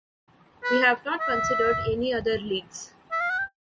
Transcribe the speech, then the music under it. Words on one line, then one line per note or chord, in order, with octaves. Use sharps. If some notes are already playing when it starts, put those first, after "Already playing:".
We have not considered any other leagues.
B4
E5
E5
F5
F#5
G5